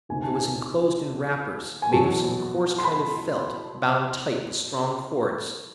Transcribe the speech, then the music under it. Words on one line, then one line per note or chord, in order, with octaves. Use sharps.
It was enclosed in wrappers made of some coarse kind of felt, bound tight with strong cords.
D2 C3 D#3 G#5
A5
G#5
G#5
E2 B2 F#3 A5
C6
B5